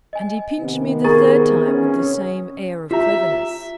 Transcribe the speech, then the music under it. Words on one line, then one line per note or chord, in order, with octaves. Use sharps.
And he pinched me the third time with the same air of cleverness.
D#5 G#5
C3 D#3 B3
G#4 A#4 A#5 C#6 A6
C#4
F4 G4 E5 A#5